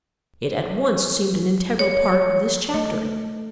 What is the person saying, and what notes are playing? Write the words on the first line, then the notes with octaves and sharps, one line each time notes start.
It at once seemed an integral part of this chapter.
C#5
A3 D#5